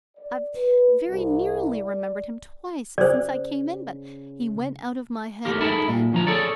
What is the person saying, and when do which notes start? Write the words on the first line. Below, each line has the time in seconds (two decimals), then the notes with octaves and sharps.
I've very nearly remembered him, twice, since I came in; but he went out of my head again.
0.17 D5
0.55 B4
1.07 C2
1.73 D5
2.98 C#3 C5 D5
5.45 A3 G4 A#4
5.61 D#4 E4 G#4 A4 E5
5.88 A#2
6.12 D2 F3 A#5
6.27 G#4 A4 C#5 D5